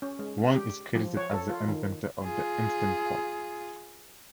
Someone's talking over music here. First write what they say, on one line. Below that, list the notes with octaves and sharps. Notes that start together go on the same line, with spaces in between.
Wang is credited as the inventor of the Instant Pot.
C#4
G#3
G4
F3
C#5
A4
F4
D#3
F4 G#4